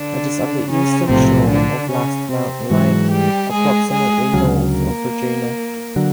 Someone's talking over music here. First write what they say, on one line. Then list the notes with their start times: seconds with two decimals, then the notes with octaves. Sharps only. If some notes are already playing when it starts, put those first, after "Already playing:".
It is on the eastern shore of Last Mountain Lake approximately north of Regina.
Already playing: D3 D4
0.69 C#3 C#4
1.09 B1 A2 C3 F3 C4
1.50 D3 D4
1.90 C#3 C#4
2.31 C3 C4
2.70 G#2 E3 F#3 G#3 F#4
3.11 G3 G4
3.52 G#3 G#4
3.92 G#3 G#4
4.33 D2 C#3 F#3
4.73 A#3 A#4
5.96 D3 F#3